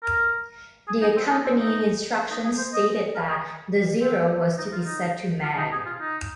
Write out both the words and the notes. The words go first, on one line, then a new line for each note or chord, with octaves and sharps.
The accompanying instructions stated that the zero was to be set to Mag.
A#4
G#4
D#4
C4
D#4
C4
D#4
D#4
G#4
C5
D#5
A#4
G#4
C4
D#4
F4
D#4
F4
D#4
G#4
F4
D#4